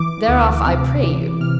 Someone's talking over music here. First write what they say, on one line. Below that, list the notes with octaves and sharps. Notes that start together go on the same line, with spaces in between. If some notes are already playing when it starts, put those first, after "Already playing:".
Thereof I pray you.
Already playing: E3 D6
D2
C3
E3
C3 F6